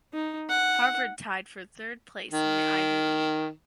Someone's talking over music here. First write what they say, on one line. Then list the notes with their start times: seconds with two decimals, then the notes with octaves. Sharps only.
Harvard tied for third place in the Ivy League.
0.14 D#4
0.49 F#5
2.31 D#3